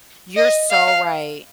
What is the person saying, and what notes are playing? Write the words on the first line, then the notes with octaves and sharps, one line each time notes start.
you're so right.
D#5
F5